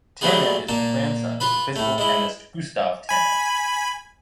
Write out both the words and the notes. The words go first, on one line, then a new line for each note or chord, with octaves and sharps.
Tammann is the grandson of the physical chemist Gustav Tammann.
F#3 G3 A3 B3 F4 G#4
A#2 A#3 A5
F4 B4 B5
A2 A3
G#3 E4
G#5 B5